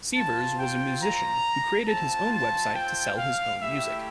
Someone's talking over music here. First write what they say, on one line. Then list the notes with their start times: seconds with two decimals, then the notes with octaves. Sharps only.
Sivers was a musician who created the website to sell his own music.
0.14 C4 F4 A5
0.58 G5
1.01 A#5
1.87 C4 F4 A5
2.31 A5
2.74 G5
3.17 F5
3.60 A3 E4 G4 E5